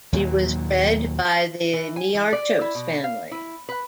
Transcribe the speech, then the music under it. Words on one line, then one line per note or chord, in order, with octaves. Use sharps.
She was bred by the Niarchos family.
D#2 A#2 F#3
E3
G#5
E3
D5
E4
B2
F5
E4
B4